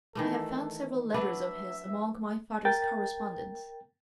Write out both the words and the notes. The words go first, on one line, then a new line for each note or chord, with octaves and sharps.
I have found several letters of his among my father's correspondence.
D#3 E3 A3 A4
F#3 D4 B4 E5
A#4 G5 A6